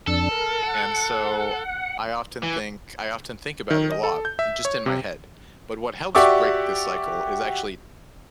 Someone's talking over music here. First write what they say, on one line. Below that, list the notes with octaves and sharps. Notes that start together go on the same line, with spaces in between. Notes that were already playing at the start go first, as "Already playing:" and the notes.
And so I often think I often think about it a lot, just in my head. But what helps break this cycle is actually
F2 D4 A4 E6
A#4
F#5
E3
D#3
D#5
A4
G6
E5
C#5
C3
F#4 G4 D5 E5 C#6 D6